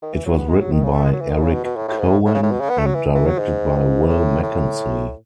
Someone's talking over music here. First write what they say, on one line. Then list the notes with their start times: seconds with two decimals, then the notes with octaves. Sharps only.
It was written by Eric Cohen and directed by Will Mackenzie.
0.02 D#3
0.14 E3
0.25 F#3
0.37 B3
0.48 G#3
0.60 F#3
0.72 D#3
0.83 C#3
0.95 A3
1.04 G#3
1.12 F#3
1.21 E3
1.30 D#3
1.41 C#3
1.53 B2
1.65 B2
1.76 A2
1.88 A2
1.99 G#2
2.08 A2
2.25 A2
2.34 C#3
2.43 A2
2.52 B2
2.60 C#3
2.69 B3
2.78 A3
2.86 F#3
2.95 E3
3.15 E3
3.27 F#3
3.38 G#2
4.08 A2
4.43 A2